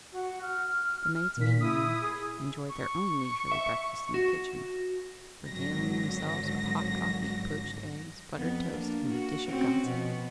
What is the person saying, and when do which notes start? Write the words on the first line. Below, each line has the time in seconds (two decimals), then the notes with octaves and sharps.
The maids meanwhile enjoyed their own leisurely breakfast in the kitchen, regaling themselves with hot coffee, poached eggs, buttered toast, and a dish of gossip.
0.12 F#4
0.42 F6
1.37 A#2 B6
1.61 E4 D#6
2.01 G#4
2.69 C#6
3.52 E5
4.14 F#4
5.43 G#1 D3 F#3 A#6
8.34 F2 B3
8.69 A#3 D4
9.12 F#4
9.46 C4 C#4 F#4
9.86 B2 F3 B3